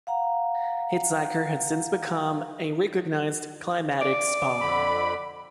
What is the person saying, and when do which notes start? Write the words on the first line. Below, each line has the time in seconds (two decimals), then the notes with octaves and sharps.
Hitzacker has since become a recognised climatic spa.
0.07 F5 F#5 A#5
4.02 D5
4.61 F2 D3 B5